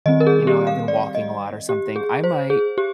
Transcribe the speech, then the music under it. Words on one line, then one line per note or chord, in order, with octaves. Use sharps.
you know, I've been walking a lot or something, I might,
D#3 G3 C4 D#5
A#4
G#4
G4
F5
D5
D#5
G4
G#4
C5
G#4
G4